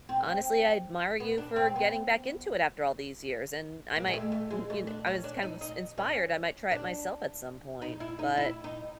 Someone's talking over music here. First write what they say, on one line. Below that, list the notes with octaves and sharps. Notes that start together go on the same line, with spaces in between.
honestly, I admire you for getting back into it after all these years, and I might, y you know, I was kind of ins inspired, I might try it myself at some point, but
C4
B3
D4
C4
B3
A#3
G#3
A3
A3
G#3
A3
D4
C#4
D4
D#4
D#4
C#4
D4
D#4
E4
D#4
E4
D#4